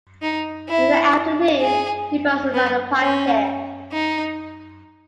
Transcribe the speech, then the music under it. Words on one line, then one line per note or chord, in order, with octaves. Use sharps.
In the afternoon he brought another packet.
D#4
E4
G#4
B3
C#4
D#4